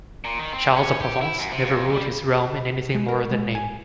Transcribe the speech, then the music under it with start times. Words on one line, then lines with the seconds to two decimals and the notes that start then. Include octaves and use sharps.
Charles of Provence never ruled his realm in anything more than name.
0.25 A#2
0.39 D#3
0.53 C4
0.77 C#4
1.01 G4
1.21 E4
1.39 F#2
1.52 C3
1.64 F2
1.93 G3
2.94 G#3
3.09 A#4
3.31 G#3
3.55 G#5